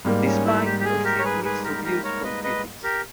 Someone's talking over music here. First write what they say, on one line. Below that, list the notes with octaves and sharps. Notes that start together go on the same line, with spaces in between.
"The Spine" received mixed reviews from critics.
G#2 G3 A#3
C#4
E4
G4
G4
G#4
G4 A#4
C#5
G#4 B4
G#4 B4
G4 A#4
G4 A#4
A#4 C#5
B4 D#5
B4 D#5
G4 A#4